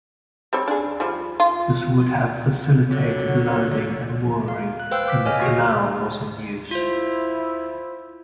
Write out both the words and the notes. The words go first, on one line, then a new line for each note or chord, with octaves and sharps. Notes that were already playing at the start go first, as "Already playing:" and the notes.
This would have facilitated loading and mooring when the canal was in use.
G3 C4 C#5
D4 G#4
F3 G3
F4
D3 F#3 C#5
F5
F#6
B4 C5 F5 G5 E6
F5 D6 B6
C#5 D#5 G#5 F6
F#4 G#4
E4 F4 C5